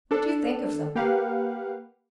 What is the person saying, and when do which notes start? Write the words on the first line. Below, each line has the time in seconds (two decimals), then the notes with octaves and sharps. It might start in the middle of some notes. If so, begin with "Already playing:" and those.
What do you think of them?
0.11 D4 A4
0.95 A#3 G4 B4 F5 F#5